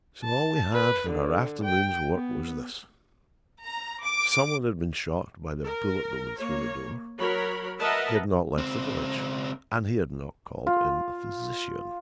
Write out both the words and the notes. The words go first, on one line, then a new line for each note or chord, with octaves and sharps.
So all we had for our afternoon's work was this: some one had been shot by the bullet that went through the door; he had not left the village, and he had not called in a physician.
A5
B4
D3
G5
B3
A#5
D6
A#4
A#3 C#5
F#3 A#4 C#5 B5
A#4 B4 D#5 E5 F#5 A5
C#2 C4
F4